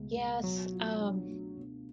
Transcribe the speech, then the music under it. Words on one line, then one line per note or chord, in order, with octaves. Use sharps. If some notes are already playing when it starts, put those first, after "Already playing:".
Yes, um,
Already playing: C#2 B2 A3
C#2
B2 F#3
F4
D4
A3
B2